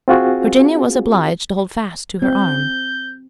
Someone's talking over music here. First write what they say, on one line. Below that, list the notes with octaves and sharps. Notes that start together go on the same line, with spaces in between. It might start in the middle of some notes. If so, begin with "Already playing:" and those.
Virginia was obliged to hold fast to her arm.
C4 F4 F#4 G#4
C4 G6